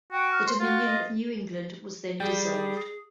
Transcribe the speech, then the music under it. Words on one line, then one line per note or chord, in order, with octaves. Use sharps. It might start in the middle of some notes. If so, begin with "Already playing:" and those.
The Dominion of New England was then dissolved.
F#4 G5
F6
C5 C6
F4 F#4
D#5
G3 G#4 G5